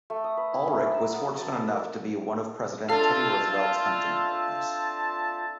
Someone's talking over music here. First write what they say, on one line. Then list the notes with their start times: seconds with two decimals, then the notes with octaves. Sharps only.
Alrich was fortunate enough to be one of President Teddy Roosevelt's hunting partners.
0.10 A3
0.24 D#6
0.37 B4
0.53 E4
0.67 C#4
0.79 A#4
0.94 E6
1.12 B3
1.25 F#3
1.38 A5
1.55 A4
1.71 A#4
2.89 C4 D4 F4 A4 E5 F5 A5